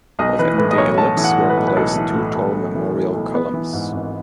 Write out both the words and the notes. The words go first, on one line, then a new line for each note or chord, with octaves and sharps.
Within the ellipse were placed two tall memorial columns.
B1 D#5
E3 B4
A2 B4
D#5
B1 C#5
B1 A5
E3
F#5
A2
B4
B1
B4
B1 A4
E3
A2
B1
B1
E3
A2
B1
B3 B4
E3
G#2
G#1